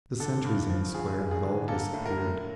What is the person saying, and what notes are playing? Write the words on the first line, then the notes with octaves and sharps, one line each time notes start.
The sentries in the Square had all disappeared.
D3 A4
G2
F3
F3 G#4
G#3
G#4
D3
A#3 A4
A2
A#4
A2